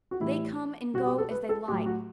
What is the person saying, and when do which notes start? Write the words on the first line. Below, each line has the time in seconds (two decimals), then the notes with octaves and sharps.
They come and go as they like.
0.11 F#4
0.20 A2 E3 G3 E4
0.94 B2 F#4
0.98 G3
1.06 G4
1.18 A4
1.31 B4
1.49 A4
1.68 A2 F#3 G4
1.86 F#4